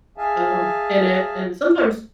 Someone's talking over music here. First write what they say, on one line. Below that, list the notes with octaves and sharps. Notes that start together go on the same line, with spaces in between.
um, in it. And sometimes
G#4 E5 F5 G#5 A5